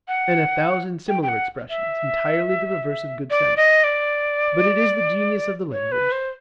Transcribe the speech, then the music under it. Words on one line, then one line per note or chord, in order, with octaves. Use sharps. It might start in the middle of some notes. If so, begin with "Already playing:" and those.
And a thousand similar expressions entirely the reverse of good sense. But it is the genius of the language.
F#5
G5
G5
F#5
E5
D5
D#5
D5
C#5
B4
C5